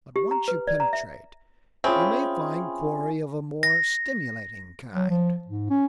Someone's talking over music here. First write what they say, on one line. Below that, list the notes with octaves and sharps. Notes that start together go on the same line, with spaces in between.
But once you penetrate, you may find quarry of a more stimulating kind.
G4
A#5
B4
D5
A#5
E5
C4 C#4 F4 G#4 E5 B5
A#6
F#3
F3
G#2
C#4